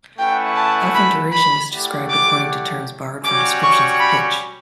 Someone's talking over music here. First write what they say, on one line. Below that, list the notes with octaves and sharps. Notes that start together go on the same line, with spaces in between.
Often duration is described according to terms borrowed from descriptions of pitch.
A3 C#4 E4 B4 F#5 G5
A5
B5
B5
A3 E4 G4 D5 F#5
D6
G3 C#4 F#4 C#5 G5 D6
C#6
B5